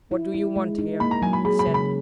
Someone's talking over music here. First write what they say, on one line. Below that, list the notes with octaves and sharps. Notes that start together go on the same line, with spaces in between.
"What do you want here?" he said.
E4
E4
G#3
D#4
A#3 B5
A#5
F#3 G#5
B5
G#4 B5
B5
C#3
B5